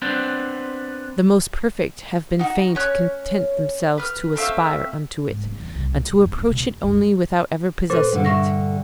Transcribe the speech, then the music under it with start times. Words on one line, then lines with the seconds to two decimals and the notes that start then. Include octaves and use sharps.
The most perfect have been fain to content themselves to aspire unto it, and to approach it only, without ever possessing it.
0.02 B3 C4 D4
2.39 D#4 F#4
2.75 C#4 C#5 F#6
3.98 B4 F6
4.35 A3 C4 E5 F5
5.28 G#2
5.45 D1
5.60 E2
5.75 C2
5.91 A3
6.09 B2
6.25 F2
6.37 E4
6.50 B2
6.62 E2
6.83 G2
7.90 A#2 A4 B4 C5
8.13 G2 D3
8.25 E5 C#6 A#6